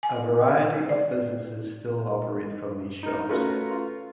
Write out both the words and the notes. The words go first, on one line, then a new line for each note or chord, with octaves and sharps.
A variety of businesses still operate from these shops.
G#5
D5
D#4 A#4
A3 C#4 F4 F#4 A#4 B4
F4